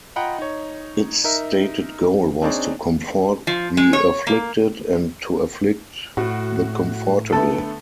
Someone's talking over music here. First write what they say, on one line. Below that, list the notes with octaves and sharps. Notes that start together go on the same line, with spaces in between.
Its stated goal was to comfort the afflicted and to afflict the comfortable.
F4 D#5 F#5 G5 A#5 B5
D#4 C#5
D#4 A#4 E5
C4 D4 D#4 G#4 C#5 D5
F3
G#3
C#5
A#3
A2 F#4
D3 A3 B3 A4